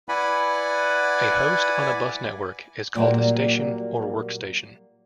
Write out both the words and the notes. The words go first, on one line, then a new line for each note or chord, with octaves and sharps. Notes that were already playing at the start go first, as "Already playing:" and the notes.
A host on a bus network is called a "Station" or "workstation".
E4 B4 D5 F#5 G#5 B5
A#2 F#3 G3 A#3